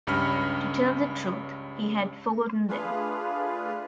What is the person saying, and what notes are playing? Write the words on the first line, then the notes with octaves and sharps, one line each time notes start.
To tell the truth — he had forgotten them.
C#2 G2 C#4 B5 F6 C#7
A3 D4 F4 G#4 B4 F5